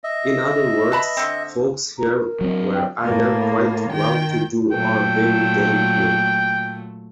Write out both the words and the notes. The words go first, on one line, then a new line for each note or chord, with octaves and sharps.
In other words, folks here were either quite well-to-do or very damn poor.
D#5 E5
B4 A5 B5
D3 C4
A#5
A#4
F#3 C4
G5
A2 A#3
D#3 G5
A#2 F#3 A3 G5